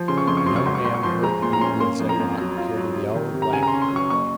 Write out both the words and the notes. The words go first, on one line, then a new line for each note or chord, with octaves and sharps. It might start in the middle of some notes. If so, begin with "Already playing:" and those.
The young man heard the Demon Zadok give a yell of laughter.
Already playing: F3
C#3 C6
C#6
F2 C6
C#6
F#3 C6
C#6
G#1 C6
C#6
G#1 C6
C#6
F3 C6
G#3 A#5
A#2 C6
A#5
C#4 C6
A#3 C6
F2
A#5
F2
F#3
F4
F#3
C3
D#3
C3
A#5
C#3 G#5
A#5
C6
C#4
C6
F#3 C#6
F#1 C#6